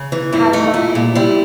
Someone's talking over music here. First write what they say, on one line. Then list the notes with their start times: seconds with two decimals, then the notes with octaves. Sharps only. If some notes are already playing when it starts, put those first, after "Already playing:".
has something
Already playing: C#3
0.12 E3
0.32 G2 E4
0.53 A3 D#4
0.74 A#2 E4
0.95 A#2
1.15 G3 E4